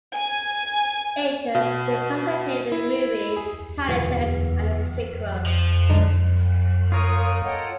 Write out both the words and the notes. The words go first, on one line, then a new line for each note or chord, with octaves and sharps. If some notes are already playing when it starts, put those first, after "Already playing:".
Later, they participated in the movie “Paddington” and its sequel.
G#5
B2
E4
G#4
G1 B2 E3 F#3 B3 F5
F3
C2 F#2 D3 G#3 D#4
F4 A#4 C#5 D#6
A#3 A4 C#5 D#5 F#5 G5